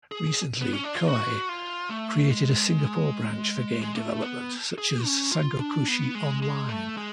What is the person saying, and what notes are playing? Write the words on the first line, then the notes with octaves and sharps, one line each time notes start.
Recently, Koei created a Singapore branch for game development such as "Sangokushi Online".
G#4
B3
C#4
D4
F4
F#4
F4
A3
G#3
G#3
A3
B3
G#4
C#4
F4
D4
B3
G#3
G#3
A3
G#3